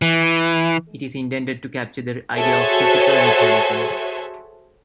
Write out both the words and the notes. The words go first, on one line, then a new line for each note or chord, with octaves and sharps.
It is intended to capture the idea of "physical mechanisms".
E3
F#4 G#4 A4 C5 C#5 E5